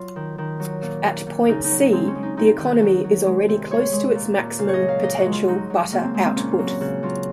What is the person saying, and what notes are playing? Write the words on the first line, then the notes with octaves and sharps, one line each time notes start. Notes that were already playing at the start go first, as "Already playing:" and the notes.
At point "C", the economy is already close to its maximum potential butter output.
Already playing: F#3 F4
D#3
D#3
F#3
A#2
A#2
A#2
C#3 D#4
D#4
F#3
G#3 C4
C#4
G#3
D#4
C3 D#4
D#3
F#3
F#3
G#3
C3
G#3 C#5
G#3
A#2
A#2
C#3 F5
C#5
D#5
F#3
F5
A#2 D#5
F#4
G#3
F4
F#3 D#4
F#3
C#3 A#3
C4
G#3 C4
C4
A#2 C#4
F4
F#3
F#4
C#3 F#4
F#3 F4